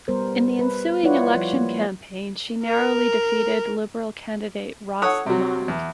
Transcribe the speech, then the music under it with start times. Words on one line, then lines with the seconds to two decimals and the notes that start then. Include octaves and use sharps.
In the ensuing election campaign, she narrowly defeated Liberal candidate Ross Lamont.
0.08 G3 B3 A#4 C5
0.59 B4
1.03 E4 F4 B4 C#5 D5 F#5
1.35 F3 G3
1.53 A#3
2.65 A#4
5.02 A4 C#5 F#5 D#6
5.26 C3 F#3
5.68 E2